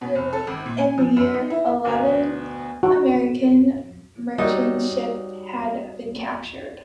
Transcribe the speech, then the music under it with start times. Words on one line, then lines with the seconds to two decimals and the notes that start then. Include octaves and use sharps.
By late in the year eleven American merchant ships had been captured.
0.01 B2
0.15 F1
0.33 A4
0.47 G#1
0.66 A#2
0.78 G#5
0.98 F3
1.17 F#2
1.34 D#4
1.50 E4
1.85 D2 B2 B3
2.83 F#4
4.38 F#3 G3 D#4 D#5